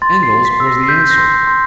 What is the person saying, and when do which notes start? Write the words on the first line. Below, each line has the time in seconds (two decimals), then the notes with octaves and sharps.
"Angles," was the answer.
0.02 C6 A6
0.23 C7
0.30 C6
0.45 B6
0.60 E6
0.67 A#6
0.84 C7
0.89 G6 B6
1.11 A#6
1.18 C6
1.47 C6